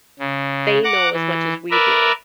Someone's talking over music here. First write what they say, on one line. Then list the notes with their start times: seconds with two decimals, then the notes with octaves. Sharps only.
they know as much as we do
0.19 C#3
0.84 F#5 A#5 D6 F#6
1.13 E3
1.71 A#4 B4 D5 E5 A#5